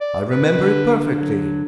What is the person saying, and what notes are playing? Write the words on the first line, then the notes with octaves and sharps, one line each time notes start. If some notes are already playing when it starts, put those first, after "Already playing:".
"I remember it perfectly."
D5
B4
D3
F#3